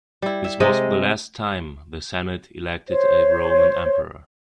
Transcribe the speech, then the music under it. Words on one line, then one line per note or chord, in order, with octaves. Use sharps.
This was the last time the Senate elected a Roman Emperor.
G3 E4
E5
C3 G#3 D#5
C5 C#5